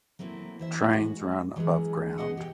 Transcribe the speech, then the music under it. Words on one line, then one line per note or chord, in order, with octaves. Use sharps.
Trains run above ground.
F#3 A3 A#3 C4 E4
E3 C5 E5
G#3 F#4
E3 F#3 G#3 C#4 G#4
B2 G#4 D#5 F#5
G4 C#5 F#5 G5